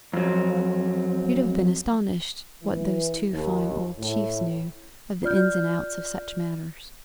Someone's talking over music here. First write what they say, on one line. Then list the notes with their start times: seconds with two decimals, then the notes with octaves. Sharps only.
You'd have been astonished what those two fine old chiefs knew of the ins and outs of such matters.
0.13 F2 F#3
2.63 E3
3.32 D#2
3.99 A2
5.23 F4 D5 F6 G6